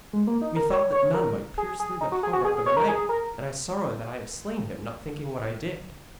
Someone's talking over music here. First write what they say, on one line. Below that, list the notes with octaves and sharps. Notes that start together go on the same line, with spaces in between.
'Methought that none might pierce through the hauberk of a knight, and I sorrow that I have slain him, not thinking what I did.'
G#3
A#3
D#4
A#4
C#5
C#5
A#4
G#4
G#4
D#4
F#4
G#4
F#4
G#4
G#4
C#5
A#4
G#4
A#4